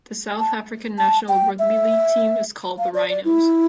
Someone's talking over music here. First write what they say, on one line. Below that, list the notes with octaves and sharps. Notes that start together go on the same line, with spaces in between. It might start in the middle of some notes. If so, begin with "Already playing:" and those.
The South African national rugby league team is called the Rhinos.
A5
A5
G5
E5
F5
D5
D5
E4